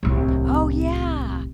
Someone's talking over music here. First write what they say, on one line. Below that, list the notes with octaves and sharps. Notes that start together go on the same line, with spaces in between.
Oh yeah,
D1 C2